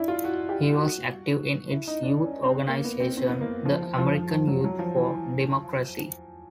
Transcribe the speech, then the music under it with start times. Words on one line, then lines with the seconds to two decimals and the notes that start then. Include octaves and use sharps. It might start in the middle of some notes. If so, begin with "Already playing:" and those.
He was active in its youth organization the American Youth for Democracy.
Already playing: D4 E4
0.08 F4
0.24 F#4
0.49 G4
0.74 F#4
1.71 E4
1.87 D#4
2.03 D4
2.20 C#4
2.43 C4
2.68 A#3
2.85 B3
3.00 C4
3.17 C4
3.29 B3
3.41 A#3
3.65 F3
3.82 F3
3.98 F3
4.15 F3
4.31 F3
4.47 F#3
4.64 F#3
4.79 F3
4.96 E3